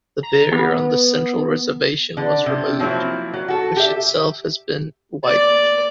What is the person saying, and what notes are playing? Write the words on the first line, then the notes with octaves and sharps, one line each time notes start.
The barrier on the central reservation was removed, which itself has been widened.
A#5
B3
D3
C3
F3 F#3 A#3 C4 E4
F#3
F#4 A4
G4 E5
D5